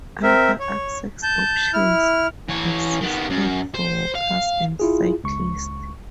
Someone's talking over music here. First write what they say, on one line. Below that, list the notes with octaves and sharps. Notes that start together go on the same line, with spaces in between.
Other access options existed for walkers and cyclists.
C4 A#4 E5
C#5
A5 G6
E4 F6
E3 C#5
D#3 B3
F#2
C5
F5
E4 F4 G#4
C#2 C#6